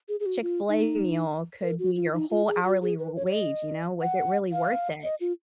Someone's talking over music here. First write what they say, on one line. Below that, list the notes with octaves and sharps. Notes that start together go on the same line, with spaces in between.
Chick-fil-A meal could be your whole hourly r wage, you know? Was it really worth it?
G#4
G#4
F#4
F4
D#4
A#4
F#4
F4
D#4
F4
G#4
F#4
G#4
B4
C#5
C#5
D#5
F#5
F5
D#5
F4